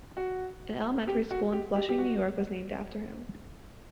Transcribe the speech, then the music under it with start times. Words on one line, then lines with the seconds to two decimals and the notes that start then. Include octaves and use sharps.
An elementary school in Flushing, New York was named after him.
0.17 F#4
1.07 G4
1.31 F#4
1.52 G4
1.76 G4
1.89 G4
1.98 F#4